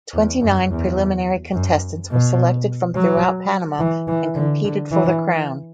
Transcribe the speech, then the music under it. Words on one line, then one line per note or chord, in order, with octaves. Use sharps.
Twenty nine preliminary contestants were selected from throughout Panama and competed for the crown.
E2
F#2
E2
F#2
B2
F#3
E3
E3
D3
D3
E3